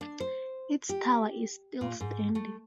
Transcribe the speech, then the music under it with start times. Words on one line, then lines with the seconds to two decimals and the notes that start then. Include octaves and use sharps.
Its tower is still standing.
0.01 D4
0.20 C5
0.89 G4
1.81 A#2
2.01 G#2
2.35 A3